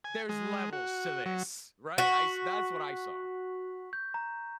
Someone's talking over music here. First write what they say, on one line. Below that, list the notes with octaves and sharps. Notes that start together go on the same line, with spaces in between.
there's levels to this, right? I s that's what I saw,
G#5
G#3
F#4
F#3
F#4 C#6 B6 F#7
G6
A#5